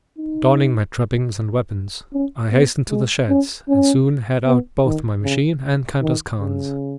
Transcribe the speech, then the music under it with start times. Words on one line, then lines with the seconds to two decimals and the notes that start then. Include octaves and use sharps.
Donning my trappings and weapons I hastened to the sheds, and soon had out both my machine and Kantos Kan's.
0.18 D#4
2.13 C#4
2.51 B3
2.90 G#3
3.29 C#4
3.68 C#4
4.46 B3
4.85 D#3
5.23 C#3
6.02 D#3
6.40 C#3